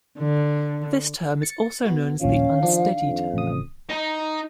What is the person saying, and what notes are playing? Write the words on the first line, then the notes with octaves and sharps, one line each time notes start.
This term is also known as the "unsteady term".
D3
A6 C#7
B3 F#4
A#1 D#2 F3 C#4 F5
D#3 F3 D4
F2
A1 C#3 D#6
D#4